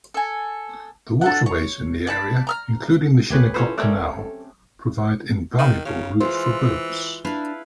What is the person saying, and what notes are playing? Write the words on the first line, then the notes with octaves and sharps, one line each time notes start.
The waterways in the area, including the Shinnecock Canal, provide invaluable routes for boats.
A4 G#5
D4 A4 F#5
C#5
D5 A5 B5
A#5 E6 F6
D2 A#3 G4 G#4 B4 C#5
C#4 E4 F4 A4 B4 C5
A3 C4 C#4 A#4 D5
A4
D#3
C#3 F5
E3 G#3 F4 C5
D4 E4 B4 F5